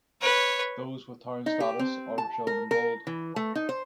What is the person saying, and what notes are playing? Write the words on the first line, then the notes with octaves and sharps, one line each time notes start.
Those with town status are shown in bold.
B4 C#5
D#4
G4
C4
A5
A#4
A#4
E3
A3
D#4
C5